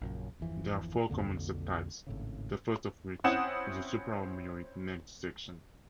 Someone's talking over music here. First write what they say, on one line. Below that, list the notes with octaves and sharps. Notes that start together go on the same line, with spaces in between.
There are four common subtypes, the first of which is the supraomohyoid neck dissection.
A#1 F#2 C#3
G1 E2 E3 F3
B1 F2 D3 A#3
G#1 A2 C#3
C4 C#4 E4 F#5 D#6 E7